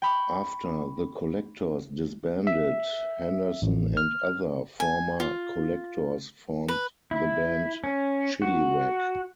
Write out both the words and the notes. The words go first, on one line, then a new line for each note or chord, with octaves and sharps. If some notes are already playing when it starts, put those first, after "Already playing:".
After The Collectors disbanded, Henderson and other former Collectors formed the band Chilliwack.
G5 B5 C#6
E5
A1
F6
G#5
F4
B4
E4
C#4
F#4